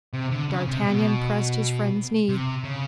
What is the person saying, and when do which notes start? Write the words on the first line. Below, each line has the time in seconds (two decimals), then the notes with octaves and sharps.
D'Artagnan pressed his friend's knee.
0.13 C3
0.31 D3
0.50 C#3
0.68 C3
0.86 B2
2.29 C3
2.64 C#3